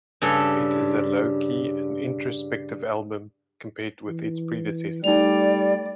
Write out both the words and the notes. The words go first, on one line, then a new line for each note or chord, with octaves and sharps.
It is a low-key and introspective album compared with its predecessors.
G2 C#3 A4
E3
G3 A3 D#4 D5 F7